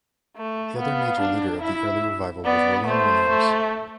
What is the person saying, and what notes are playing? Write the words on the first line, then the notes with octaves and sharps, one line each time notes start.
The other major leader of the early revival was William Williams.
A3
B3 F5
D4
E4 E5
B3 D5
A3 C5
A3